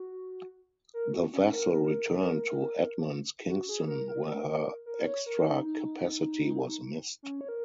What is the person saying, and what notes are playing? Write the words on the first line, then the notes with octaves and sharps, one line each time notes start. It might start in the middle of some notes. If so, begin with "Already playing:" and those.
The vessel returned to Edmonds- Kingston where her extra capacity was missed.
Already playing: F#4
A#4
F#4
C#4
A#4
A#4
F#4
G#4
A#4
A#4
A#4
C#5
A#4
D#4
D#4
C#4
C#5
A#4